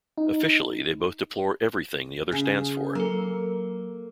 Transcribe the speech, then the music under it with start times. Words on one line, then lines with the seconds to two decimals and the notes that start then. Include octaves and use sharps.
Officially, they both deplore everything the other stands for.
0.18 D#4
2.32 C#3 G#4
2.95 F#3 A#3 A4